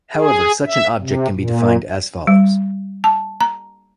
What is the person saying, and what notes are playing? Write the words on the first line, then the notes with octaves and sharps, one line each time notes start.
However, such an object can be defined as follows.
G#4
E5
C3
A#2
G3
A5
A#5